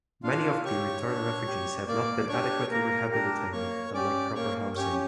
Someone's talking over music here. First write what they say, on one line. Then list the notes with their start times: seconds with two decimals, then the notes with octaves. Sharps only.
Many of the return refugees have not been adequately rehabilitated and lack proper housing.
0.23 D4 F4 F5
0.65 G4 C#5 C#6
1.06 D4
1.47 G4
1.88 A#3 D5 D6
2.29 D4 G4 C#5 C#6
2.70 A#3 A#4 A#5
3.11 D4 G4 A#4 A#5
3.53 A#3 C#5 C#6
3.94 C#4 G4 D5 D6
4.35 A#3 C#5 C#6
4.76 C#4 G4 C#5 C#6